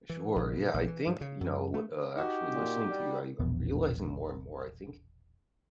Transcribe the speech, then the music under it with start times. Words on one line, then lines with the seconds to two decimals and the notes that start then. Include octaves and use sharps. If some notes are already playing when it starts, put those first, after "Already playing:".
Sure, yeah, I think, you know, with, uh, actually listening to you, I'm realizing more and more, I think
0.10 E3
0.36 A#1
0.56 B2
0.74 A#1
0.88 E3
1.07 G2
1.21 C#3
1.41 F#2
1.74 A3
2.16 D#4 F#4 G4
2.52 A#2
2.88 G3
3.39 E1 A#1 E2 B3